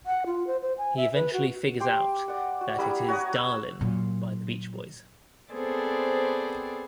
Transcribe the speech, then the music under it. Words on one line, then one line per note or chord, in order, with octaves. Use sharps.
He eventually figures out that it is "Darlin'" by The Beach Boys.
F#5
F4
C5
C5
G#5
E5
B4
F#4
G4 G5 C6 D6
D5 F#5
F#4
G3 B3 E4 A#5
F#4 C#5 F#5 D#6
E6
A#2 F#3
B3 C4 G#4 A4 C5 D5